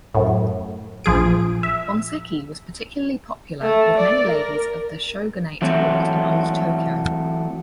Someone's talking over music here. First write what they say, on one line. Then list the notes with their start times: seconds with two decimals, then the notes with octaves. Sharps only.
Bonseki was particularly popular with many ladies of the Shogunate court in old Tokyo.
0.15 F#2 A2
1.04 A#1 F3 G#4 D7
1.63 E5
3.62 A3
3.98 D5
4.28 A#4
5.62 E3 F#3 A3 C4